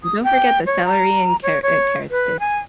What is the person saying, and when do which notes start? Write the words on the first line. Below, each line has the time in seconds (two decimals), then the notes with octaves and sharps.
And don't forget the celery and car uh, carrot sticks.
0.04 D#6
0.24 G5
0.66 C#5
0.85 A#5
1.43 C#5
1.63 C#5
2.10 B4
2.40 G#5